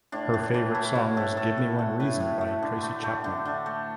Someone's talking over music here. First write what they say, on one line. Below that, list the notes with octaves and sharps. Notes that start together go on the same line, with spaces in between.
Her favourite song was "Give Me One Reason" by Tracy Chapman.
A2 D4
A2
D4
E3
A3 E4
A2 F#4
A2 A4
A2 A4
A3
A3
A2 B4
A2
A3
D3
A3
A3
D3
D3
A3